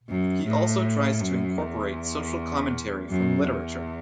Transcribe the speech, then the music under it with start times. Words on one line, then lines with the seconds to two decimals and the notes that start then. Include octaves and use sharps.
He also tries to incorporate social commentary from literature.
0.08 F#2
0.45 A2
1.21 F#2
1.58 E2
3.09 F#2
3.46 E2